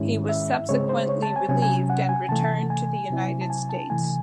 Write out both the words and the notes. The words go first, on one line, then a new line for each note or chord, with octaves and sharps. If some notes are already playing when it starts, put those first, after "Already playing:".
He was subsequently relieved and returned to the United States.
Already playing: G#2 D#3 G#3 C#4 E4
E5
C#3 G#3 C4 C#5
C5
C#5
A5
G#5
C3 F#3 C#4 G#5
G#5
F#5
G#5
C3 E3 A3 A5
G#5
C3 F#3 C4 E4
A5
G#5
A5
C3 E3 A3 G#5